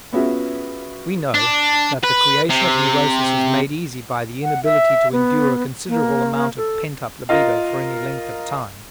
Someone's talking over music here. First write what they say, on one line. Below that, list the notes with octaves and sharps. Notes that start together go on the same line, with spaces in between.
We know that the creation of neurosis is made easy by the inability to endure a considerable amount of pent-up libido for any length of time.
B3 C#4 F4 F#4 G#4 E5
D4
B4
C3
F#5
E5
B3
A#3
A4
F4 A#4 D#5 F5